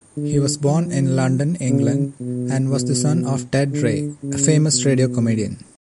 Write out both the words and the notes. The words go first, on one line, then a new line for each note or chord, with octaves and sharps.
He was born in London, England and was the son of Ted Ray, a famous radio comedian.
D3
F3
C#3
B2
B2
D3
C#3
B2